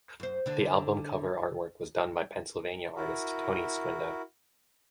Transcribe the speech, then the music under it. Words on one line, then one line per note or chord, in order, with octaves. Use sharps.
The album cover artwork was done by Pennsylvania artist Tony Squindo.
F#2 C5
D3 D4
E4 F#4 A#4